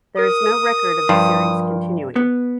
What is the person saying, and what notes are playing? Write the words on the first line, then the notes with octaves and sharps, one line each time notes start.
There is no record of the series continuing.
A#4 D#6
G2 F3
B3